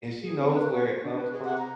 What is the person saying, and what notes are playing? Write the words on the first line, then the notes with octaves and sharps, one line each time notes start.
and she knows where it comes from,
G#4
C4
B4
F#4
C5
D4
B4
G#4
F#5
A#5